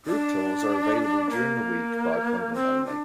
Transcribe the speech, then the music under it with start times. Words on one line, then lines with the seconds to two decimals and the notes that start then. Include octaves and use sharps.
Group tours are available during the week by appointment only.
0.06 D4
1.30 A#3
2.54 C4
2.85 D4